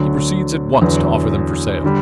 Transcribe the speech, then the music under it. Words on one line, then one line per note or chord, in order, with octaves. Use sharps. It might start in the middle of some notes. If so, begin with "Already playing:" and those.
He proceeds at once to offer them for sale.
Already playing: D2 D3 F#3
E2 D3 F#3
D3 G3